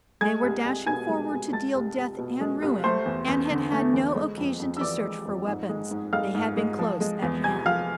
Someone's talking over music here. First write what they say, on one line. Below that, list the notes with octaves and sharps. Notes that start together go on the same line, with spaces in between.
They were dashing forward to deal death and ruin and had had no occasion to search for weapons--they had been close at hand.
G#3 G#5 G#6
C2
C2
B2 G#5 G#6
G#3
C2
G#3 A5 A6
C2
C2
B2
G#3
C2
A3 C5 C6
E2
E2
D3
A3
E2
G#3
F2
F2
E6
E3 D5 D6
G#3
F2
G#2
G#3
G#2
G#3 F5 F6
G#2
G#3
F3
G#3
E2
C3 G#5 G#6
F3 F5 F6